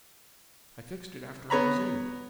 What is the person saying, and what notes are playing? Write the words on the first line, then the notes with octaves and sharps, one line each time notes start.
"I fixed it after I was in."
B3 C#5 A#5 B5